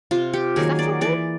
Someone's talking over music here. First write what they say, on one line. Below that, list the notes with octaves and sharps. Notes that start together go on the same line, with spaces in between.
'Is that all!
C3 F4
G4
D#3 F#3 A#3 G#4
D5
E3 D5